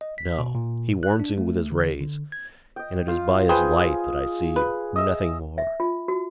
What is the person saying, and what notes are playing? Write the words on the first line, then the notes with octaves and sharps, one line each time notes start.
No; he warms me with his rays, and it is by his light that I see you--nothing more.
D#5
B6
B2
A#2
F#6
D4
A3
D3
D3
G#6
D#5 G5
F4 F5
G#4 B4 C5 G5 G#5
B4
D#5 E5
E5
F4
F#4